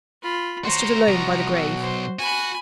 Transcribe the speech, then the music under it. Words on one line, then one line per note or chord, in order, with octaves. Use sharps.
I stood alone by the grave.
F4 B5
F#4 C5 C#5 A#5 C6
C2 F3 F#4
B1
C5
F#4 G#5 B5